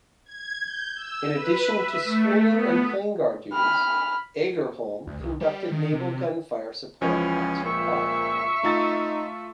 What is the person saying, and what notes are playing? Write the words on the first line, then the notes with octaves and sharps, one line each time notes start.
In addition to screening and planeguard duties, "Agerholm" conducted naval gunfire support as required.
G#6
G6
E6
B4
E5
A3
B3
B5 F6
D2
C2
G3
D#3
C3
C#2 E3 F3 C#4 C#5
A#2 E5 C#6
A3 D#4 F4 A6